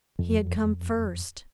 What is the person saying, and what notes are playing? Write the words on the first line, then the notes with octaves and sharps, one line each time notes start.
He had come first!
F2